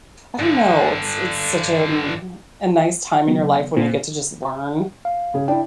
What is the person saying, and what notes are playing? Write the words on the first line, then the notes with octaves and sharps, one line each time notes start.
I don't know, it's it's such an mm a nice time in your life when you get to just learn,
G2 D3
C#3 F#3 B3
A#2 C4
F5
C#3 G#4
D4 E4 G5